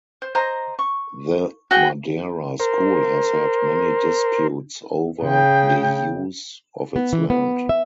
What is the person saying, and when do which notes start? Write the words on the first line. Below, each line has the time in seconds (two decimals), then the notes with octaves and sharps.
The Madeira school has had many disputes over the use of its land.
0.22 C5
0.35 C5 D#5 A#5
0.79 C#6
1.71 F#4 G#4 G5
2.60 A#4 C5
5.23 C#3 G5
6.96 B3
7.13 E3
7.30 B3
7.69 E5